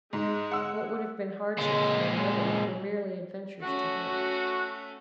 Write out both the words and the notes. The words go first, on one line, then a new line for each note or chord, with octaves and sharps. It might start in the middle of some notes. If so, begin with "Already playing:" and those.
What would have been hardships for another were merely adventures to her.
G#2 G#3
F#5 E6
A#2 G#3
A3 C#4 F#4